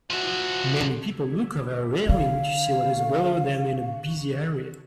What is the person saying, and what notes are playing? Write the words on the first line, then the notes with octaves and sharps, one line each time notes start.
Many people look over a railing to see what is below them in a busy area.
F3 F#4 E5
D3 F5